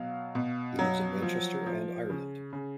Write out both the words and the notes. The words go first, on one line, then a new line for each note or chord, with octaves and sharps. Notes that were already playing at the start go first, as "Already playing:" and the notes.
He lives in Manchester and Ireland.
Already playing: B2 F#3 F5
B2
F#3
F3
F3
C#3
C#3